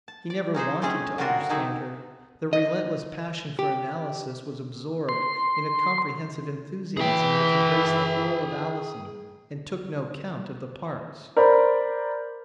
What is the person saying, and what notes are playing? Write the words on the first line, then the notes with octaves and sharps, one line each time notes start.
He never wanted to understand her; the relentless passion for analysis was absorbed in a comprehensive enthusiasm which embraced the whole of Alison and took no count of the parts.
A5
D5
C#4 D#4 G#4 C5
G#3 A3 C4 C#4 G#4
D3 G3 D4 F4 F#4 A#4
D#3 F#3 D#4 G#4 D#5 E5
D#5
G4
C6
E3 G#4 G5
A#4 C5 D5 B5